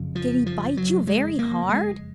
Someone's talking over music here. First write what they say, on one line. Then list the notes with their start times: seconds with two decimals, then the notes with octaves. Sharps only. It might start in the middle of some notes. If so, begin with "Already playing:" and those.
"Did he bite you very hard?"
Already playing: F#1 F2 C#3
0.15 F3
0.46 F3
0.77 F#3
1.07 G#3
1.39 A#3
1.69 G#3